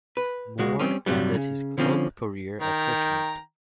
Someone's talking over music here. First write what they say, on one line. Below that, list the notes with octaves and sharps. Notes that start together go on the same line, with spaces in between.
Moore ended his club career at Richmond.
B4
C#2 G#3 F#4
G3 C4 C#4
G2 C3 F#3 G3
C#3
D3 F3 C4 C#4
D#3 G5 A#5